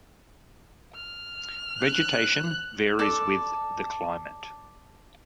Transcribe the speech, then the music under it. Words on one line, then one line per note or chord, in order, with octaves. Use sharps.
Vegetation varies with the climate.
F6
F#6
A4 D5